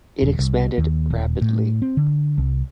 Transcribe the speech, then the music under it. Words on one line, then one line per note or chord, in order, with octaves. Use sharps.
It expanded rapidly.
D#1
C2
D#2
D#1
A2
C4
D3
C2